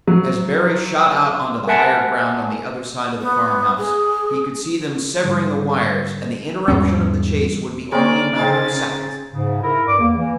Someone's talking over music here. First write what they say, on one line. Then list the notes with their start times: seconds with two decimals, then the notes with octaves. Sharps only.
As Barry shot out onto the higher ground on the other side of the farmhouse he could see them severing the wires and the interruption of the chase would be only a matter of seconds.
0.07 F#3
1.67 A#4 B4 E5 F#5 G#5 A5
3.20 B3
3.77 G#4
5.21 G#2 D3 G3
6.68 E2 G#2 E3 G3 B3 C#4
7.92 A#3 C4 G#4 A#4 C#5 D5
8.36 C#3 C4 D#4 G#4 A#4 A6
9.32 G#2 C#3
9.62 E4 A#4
9.88 G2 D5 D6
9.99 E2 A#3
10.17 E3 A#3